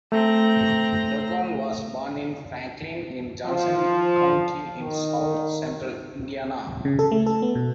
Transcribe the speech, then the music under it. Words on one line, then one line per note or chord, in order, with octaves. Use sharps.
Duggan was born in Franklin in Johnson County in south central Indiana.
A3 C4 A#5
F3
D#3
C#3
A4
A3
A4
B3
B2